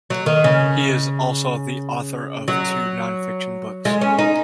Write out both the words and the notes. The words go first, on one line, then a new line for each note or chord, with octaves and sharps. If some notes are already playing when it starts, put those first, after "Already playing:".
He is also the author of two non-fiction books.
F#3
D#3
C#3
F#3
G#3
C#4
D#4